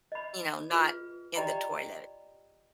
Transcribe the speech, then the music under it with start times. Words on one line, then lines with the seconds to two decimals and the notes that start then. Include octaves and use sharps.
you know, not in the toilet.
0.12 D#5 B5
0.72 F4 G#4 B4
1.35 G4 D5 D#5 G5 A#5 B5